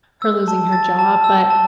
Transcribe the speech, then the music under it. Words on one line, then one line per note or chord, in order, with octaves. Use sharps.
her losing her job, but,
E6
A5
A6
A5
E6
A5